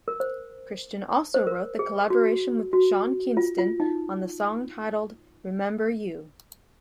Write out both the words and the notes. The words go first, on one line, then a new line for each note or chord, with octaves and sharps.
Cristian also wrote the collaboration with Sean Kingston on the song titled "Remember You".
A#4
C5
C5
A#4
G#4
F#4
F#4
F4
F4
D#4